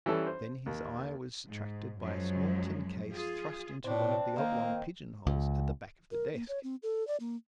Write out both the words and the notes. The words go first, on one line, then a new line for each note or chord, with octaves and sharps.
Then his eye was attracted by a small tin case thrust into one of the oblong pigeon holes at the back of the desk.
E3 G3 C#4 A4
C5
D#2
G#2
F#2 F3 F#3 G#3
F4 G#4
A2 C4 D4
D#3 A#3 C4
C#2
A#4
A#3
C#5
C4
A4
D5
A#3